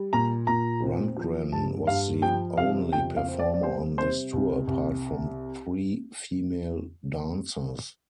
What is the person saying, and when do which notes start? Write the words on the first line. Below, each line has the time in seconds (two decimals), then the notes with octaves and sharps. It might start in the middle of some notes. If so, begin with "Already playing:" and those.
Rundgren was the only performer on this tour apart from three female dancers.
Already playing: G3
0.13 A#2 A#5
0.47 A#2 A#5
0.83 C4
1.17 F3
1.52 G2 A5
1.87 G2 F5
2.22 F3 G5
2.57 C3 F5
2.92 F2 G5
3.17 F5
3.28 C4
3.39 D5
3.54 D5
3.63 G3 C5
3.98 C3 C5
4.33 C2
4.68 C2